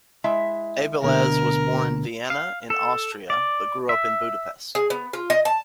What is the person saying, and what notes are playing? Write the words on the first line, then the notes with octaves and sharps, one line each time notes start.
Abeles was born in Vienna, in Austria, but grew up in Budapest.
G#3 E4 E5
D2 B2 D3 A#4
F5
A4
D5
E5
G#4
B3
F4
D#5
A5